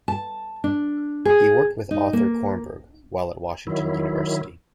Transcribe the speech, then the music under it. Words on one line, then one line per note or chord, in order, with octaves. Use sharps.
He worked with Arthur Kornberg, while at Washington University.
A5
D4
G#4
D#4
A#3
D#3 F#3 E4